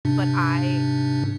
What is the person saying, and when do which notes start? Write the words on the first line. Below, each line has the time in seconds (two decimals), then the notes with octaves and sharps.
But I,
0.05 G#2 C3 D4